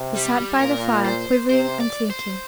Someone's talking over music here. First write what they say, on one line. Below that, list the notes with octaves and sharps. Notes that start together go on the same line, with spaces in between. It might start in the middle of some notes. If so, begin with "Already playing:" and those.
He sat by the fire quivering and thinking.
Already playing: C3
G3
A#2 A#4
C5
C3 C5
D5
C5